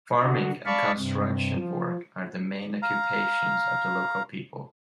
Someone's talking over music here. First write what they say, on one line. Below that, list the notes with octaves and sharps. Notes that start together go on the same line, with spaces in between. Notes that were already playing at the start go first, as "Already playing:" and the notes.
Farming and construction work are the main occupations of the local people.
D3 F#4
D5 F5 A5 B5 C#6
G2 C3
F3
F5 A#5